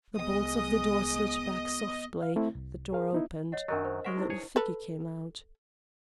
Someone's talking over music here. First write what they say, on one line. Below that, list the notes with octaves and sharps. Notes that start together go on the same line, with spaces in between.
The bolts of the door slid back softly; the door opened; a little figure came out.
C2 G#3 B3 D#5 D#6
F5
A3 C4 E4
C2
G#4 A#4 F5
B3 D#4 E4
C#5 D#5 F#5
F#2 D#3 F#3 D4 A#4 D#5
C5
G#3 A#4 E5 F#5 C#6
D#4 E4 C5
G#4 C#5
A4 B4